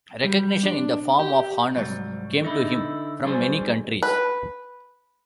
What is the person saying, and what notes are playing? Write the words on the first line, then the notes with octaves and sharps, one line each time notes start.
Recognition in the form of honours came to him from many countries.
G3
D4
G4
C2 G#2 F#3 G3
D3 D#4 E4
F#3 G3 G#4 C5
B4